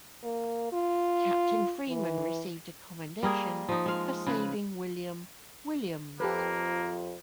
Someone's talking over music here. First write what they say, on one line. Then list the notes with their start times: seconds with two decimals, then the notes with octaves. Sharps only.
Captain Freeman received a commendation for saving "William Williams".
0.24 A#3
0.73 F4
1.89 E3
3.23 G3 A#3 G#4 A#4
3.69 F3 D#4
3.86 G#3 F5
4.27 C#3 B4
6.20 F2 F3 A#3 G4 A4 B4